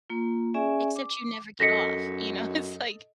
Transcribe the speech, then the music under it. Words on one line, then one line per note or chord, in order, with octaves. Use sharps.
Except you never get off, you know, it's like,
A#3 F4
C#4 G#4 D5 E5 G#5
D6
F#2 A4 D#5 A#6 B6 C#7